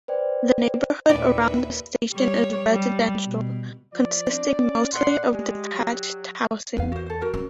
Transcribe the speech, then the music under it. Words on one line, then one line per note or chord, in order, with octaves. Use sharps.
The neighborhood around the station is residential, consisting mostly of detached housing.
B4 C5 D5 G5
D#2 A#2 D4 E4 B4 D5 E5 G5
G3 C#5
G3
B2
F3 D5
C4 D4
C#4
A#2 C#5 D5 F#5 C6
G#3 G4
F#3
E2 B4 F5
F#4 C5
A4 C5
F#4 A#4 C5
C#4